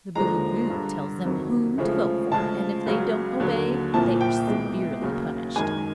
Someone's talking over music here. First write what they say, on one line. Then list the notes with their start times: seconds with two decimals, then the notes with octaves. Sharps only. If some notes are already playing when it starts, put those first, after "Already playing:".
The Boolooroo tells them whom to vote for, and if they don't obey they are severely punished.
0.15 D#2 D3 F3 G#3 A#5
0.70 G2 D3 G3
1.24 F2 C3 D#3 F#3
1.78 D2 C#3 F3 G#3
2.32 D2 C#3 F3 G#3 A5
2.86 C#2 C#3 F#3
3.40 D#2 D3 F#3
3.94 C2 A#2 F3 A5
4.21 G5
4.47 C2 B2 G#3
5.02 D#2 C#3 F#3
5.56 F#2 D#3 G#3 G#5